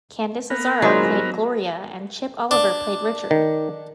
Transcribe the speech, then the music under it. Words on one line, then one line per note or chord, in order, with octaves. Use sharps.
Candice Azzara played Gloria and Chip Oliver played Richard.
B3 A#4
G#1 A#2 F#3 G#3 D#4 C5
D4
D#3